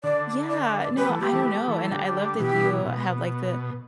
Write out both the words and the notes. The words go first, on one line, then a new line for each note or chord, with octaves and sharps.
Yeah, no, I don't know, and I love that you have, like, the
D3 D5
D5
E5
D5
G3 B3 B4
E3 A3
G3 B3 G4
E3 A3
B3
A3
G3
E3 A3
D3 G3
B2 E3 G4
B2